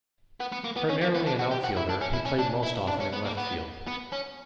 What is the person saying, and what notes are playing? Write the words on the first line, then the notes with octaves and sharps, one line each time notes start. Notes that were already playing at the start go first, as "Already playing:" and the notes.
Primarily an outfielder, he played most often in left field.
B3
B3
A#3
B3
C#4
A#3
B3
D4
F#4
G4
F#4
E4
D4
C#4
E4
C#4
D4
E4
D4
C#4
B3
A#3
B3
B3
C#4